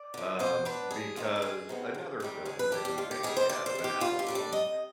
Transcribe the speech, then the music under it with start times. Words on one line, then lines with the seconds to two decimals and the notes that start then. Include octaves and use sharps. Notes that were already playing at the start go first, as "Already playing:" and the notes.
um, because another film that he made out of an album
Already playing: D5
0.14 D3 F3
0.39 B2 C5
0.65 B3 D4 B4
0.91 D#2 G#4
1.16 D3 G#3 C4 D#4 F4
1.36 B4
1.42 D2 G#4
1.69 C3 D#3 B3
1.94 D2
2.20 C3 D#3 G3
2.45 C3 G#4
2.59 B4
2.72 G3 D4 G4
2.85 G4
2.98 D#2 F4
3.11 G4
3.23 D#3 G3 G#4
3.37 C5
3.49 D2 D5
3.66 C5
3.75 C3 D#3
3.84 G4
4.00 G2 F4
4.19 G4
4.27 D3 G3 D4
4.35 D5
4.52 C3 D#5